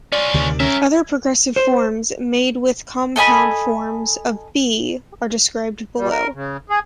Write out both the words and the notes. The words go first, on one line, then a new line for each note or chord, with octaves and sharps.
Other progressive forms, made with compound forms of "be", are described below.
C#4 F4 D5
D2 C3 D#3
C#4 A#4 E5
C5
A4 D#5 G#5 B5
G3
A#4
C#3
G#4